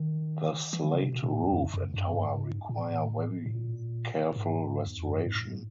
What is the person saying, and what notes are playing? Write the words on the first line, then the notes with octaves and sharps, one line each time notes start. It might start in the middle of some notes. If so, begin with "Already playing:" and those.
The slate roof and tower require very careful restoration.
Already playing: D#3
E3
D#3
C#3
C3
B2
A#2
A2
E2
F2
F#2
G2
F#2
G2
G#2
A#2
A2
A2
A#2
G#2
E2
F2
F#2
G2
G#2
A2